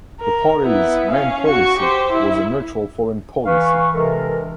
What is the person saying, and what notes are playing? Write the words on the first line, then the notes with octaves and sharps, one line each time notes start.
The party's main policy was a neutral foreign policy.
A#4
B3 E4
C#4 F5
F#4 C#6
G4 C5
E4
E3 B4 F5 C#6
C3 E3 G#3 D4 A4 A#4